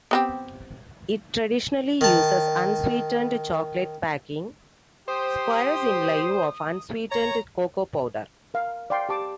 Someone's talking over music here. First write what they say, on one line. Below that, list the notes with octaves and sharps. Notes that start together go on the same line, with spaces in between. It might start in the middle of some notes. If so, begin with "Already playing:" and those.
It traditionally uses unsweetened chocolate baking squares in lieu of unsweetened cocoa powder.
B3 C4 G4
D#3 A5
G4 C5 D#6
C#5 A#5
A#4 F5
D5 F5 G5 C6
G4 A5 D6